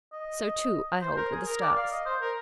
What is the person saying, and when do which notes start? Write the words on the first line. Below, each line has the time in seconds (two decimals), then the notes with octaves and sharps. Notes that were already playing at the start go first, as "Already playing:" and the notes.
So, too, I hold, with the stars.
0.12 D#5
1.02 C5
1.13 C5
1.17 A#4
1.32 G#4
1.47 A#4
1.61 D5
1.76 F5
1.91 D#5
2.06 C5
2.21 A#4